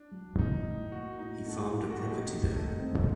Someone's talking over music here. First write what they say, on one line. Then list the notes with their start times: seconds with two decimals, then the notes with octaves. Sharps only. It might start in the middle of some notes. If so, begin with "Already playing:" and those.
He farmed a property there.
Already playing: D4
0.11 F#3
0.39 A2 D#4
0.66 A2
0.92 A#3 F#4
1.19 A2 D#4
1.45 A3 F#4
1.72 A3
1.80 G4
1.90 F#4
1.99 A3 D#4
2.25 D#3
2.52 A3 D#4
2.79 C4